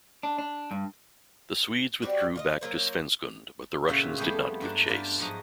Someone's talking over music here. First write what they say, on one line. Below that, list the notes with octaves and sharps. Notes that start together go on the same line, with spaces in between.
The Swedes withdrew back to Svensksund but the Russians did not give chase.
D4
D4
G2
G3 C4 F#4 G4
F4 D5 D#5
F#3 G#3 A#3 C5
A#2 C#3 F4 F#4 E5 G5
F2 G3 A3 B3 G4 G#4
G2 F#3 D4 A5
G2 F4 D5 B5
G#2 F3 F#3 D#5 F#5